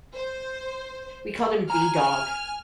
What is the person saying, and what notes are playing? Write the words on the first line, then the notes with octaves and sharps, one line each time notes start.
We called him B-Dog,
C5
G#5 A#5 F6